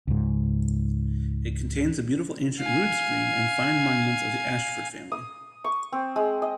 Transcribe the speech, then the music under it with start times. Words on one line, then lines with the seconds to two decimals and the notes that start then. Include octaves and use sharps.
It contains a beautiful ancient rood-screen, and fine monuments of the Ayshford family.
0.07 C#2 G#2
2.59 F5 G#5
5.12 D#6
5.64 C#6
5.92 C4
6.16 G#3
6.42 D#5